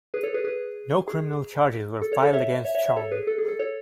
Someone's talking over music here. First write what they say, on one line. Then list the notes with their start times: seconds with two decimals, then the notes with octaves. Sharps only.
No criminal charges were filed against Chong.
0.14 G#4 B4
0.23 A4 C#5
0.34 G#4 B4
0.44 G#4 B4
1.08 G#4
2.02 A4
2.12 A4 C#5
2.23 A4 C#5
2.33 C#5 E5
2.65 C#5 E5
2.75 C#5 E5
2.85 C#5 E5
2.96 A4 C#5
3.11 G#4 B4
3.27 A4
3.38 G#4
3.48 A4
3.59 A4 C#5